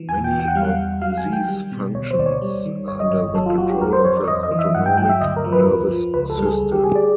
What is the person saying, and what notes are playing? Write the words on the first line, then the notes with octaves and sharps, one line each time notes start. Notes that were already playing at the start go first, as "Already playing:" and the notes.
Many of these functions are under the control of the autonomic nervous system.
Already playing: E3
E2 G#5
G5
E2
G5
F#5
G3 F5
F#5
C2
F#3 F5
G#5
D#3
G5
G3
B2
D2 C#5
C5
D2 D5
C#5
G3
D#3
G1 C#5
D#5
G1 C#5
F#3 A4
F4
F#3 F#4
G4
F2 A#4
C5
F2 C#5
D5
F2 D#5
D#5
E3
E5
G2 F#5
G5
F#3 G5
E5
D2 D#5
A#4
F3
B4
F2
F3
C#2 B4
A4
G3
G#4
D2
G4
D2 G#4
D5